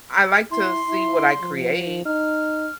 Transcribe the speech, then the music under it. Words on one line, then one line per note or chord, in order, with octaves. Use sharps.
I like to see what I create,
E4 C6
E4
F3
D#4 F6